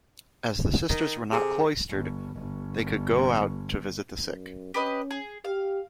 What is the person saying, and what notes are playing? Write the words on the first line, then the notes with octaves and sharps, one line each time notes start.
As the sisters were not cloistered, they could go out to visit the sick.
D#3
C3 G#4 A4
G1
G1
F#2
C#4 G4 B4 D#5
G#4
G4 F5